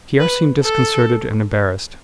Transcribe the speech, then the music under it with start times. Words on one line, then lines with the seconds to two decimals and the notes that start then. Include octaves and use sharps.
Pierre seemed disconcerted and embarrassed.
0.19 B4
0.63 A4